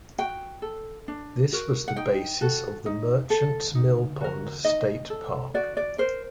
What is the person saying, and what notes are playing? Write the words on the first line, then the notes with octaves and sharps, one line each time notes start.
This was the basis of the Merchants Millpond State Park.
F#4 G5
A4
D4
F#4 A#4
F#5
D#4 G5
F#4 A4
D#4
A4
D#4
F#4 A#4
D#4 D#5
A4
F#4 D5
D5
A#4 C5